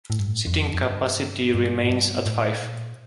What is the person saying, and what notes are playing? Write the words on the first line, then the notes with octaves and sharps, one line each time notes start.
Seating capacity remains at five.
A2
G2
A2
F2
F2
G2
G2
A2
G2
A2
A#2